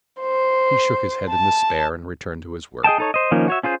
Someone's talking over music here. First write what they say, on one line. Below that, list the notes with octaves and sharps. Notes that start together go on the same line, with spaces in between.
He shook his head in despair, and returned to his work.
C5
A5
G#4 D#5 G5 A5
D#4 A4 C#5
C5 D#5
D#3 F3 A#3 C#4 D#4
F#4 C#5 E5
C#4 F4 G#4 C5